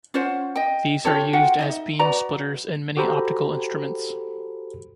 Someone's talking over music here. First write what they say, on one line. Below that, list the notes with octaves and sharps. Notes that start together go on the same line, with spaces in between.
These are used as beam splitters in many optical instruments.
C#4 F4 C5 F#5
D#5 G5
F4 G4 A4 C#5
F4 F#4 F#5 G5
D#4 D#5 E5
F#4 B4 D5 A#5
F#4 G4 A4 C5 A#5 B5